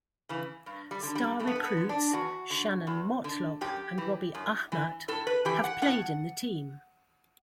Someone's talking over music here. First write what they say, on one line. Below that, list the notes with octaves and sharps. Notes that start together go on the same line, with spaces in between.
Star recruits, Shannon Motlop and Robbie Ahmat, have played in the team.
C#3 E3
G2
G3
D3
G3
G2 A3
B3
A3
B3
D3
D4
E2 F#4
D3
E2
D3
F#2 G4
E3
F#2
E3
A2 A4
B4
E3 G4
F#5
A2 F#5